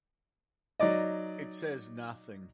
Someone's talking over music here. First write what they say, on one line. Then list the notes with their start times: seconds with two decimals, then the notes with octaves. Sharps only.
It says nothing.
0.80 F#3 D#4 D5 D#5